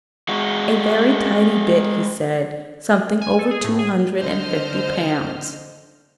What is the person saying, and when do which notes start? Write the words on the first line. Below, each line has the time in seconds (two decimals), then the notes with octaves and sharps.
'A very tidy bit,' he said; 'something over two hundred and fifty pounds.
0.29 G#3 F#4
3.21 G#5
3.39 A4
3.51 G#4
3.64 A2
3.79 G#4
4.19 D3 C5 D#5 F6